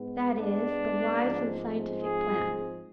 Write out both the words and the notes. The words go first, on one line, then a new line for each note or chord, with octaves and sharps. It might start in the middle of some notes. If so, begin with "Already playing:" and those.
That is the wise and scientific plan.
Already playing: G#2 G#3 B3
D4
G#2 F3 G#3 C4
G#4